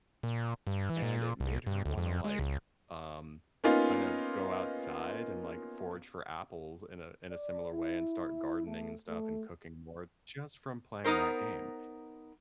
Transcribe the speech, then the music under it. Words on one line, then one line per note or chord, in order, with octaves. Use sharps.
and it made her wanna, like, um, kind of go outside and, like, forage for apples in a in a similar way and start gardening and stuff and cooking more, just from playing that game,
A#2
G2
E3
A#2
C2
G2
D2
F2
G#3
C#2
A#3 B3 C#4 D#4 F4
D5
E4
A3
A3
B3 D#4 A#4 C5